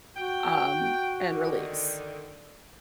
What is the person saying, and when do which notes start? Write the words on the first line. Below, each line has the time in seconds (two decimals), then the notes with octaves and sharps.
um, and release,
0.17 F#4 G5
1.30 D3 D#3